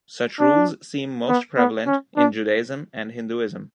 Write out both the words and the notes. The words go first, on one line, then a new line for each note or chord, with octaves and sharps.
Such rules seem most prevalent in Judaism and Hinduism.
D4
B3
B3
C#4
D4